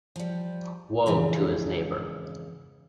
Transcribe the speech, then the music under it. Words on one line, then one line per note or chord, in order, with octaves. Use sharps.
Woe to his neighbor!
F3 G3
F2 G#2 C#3 E3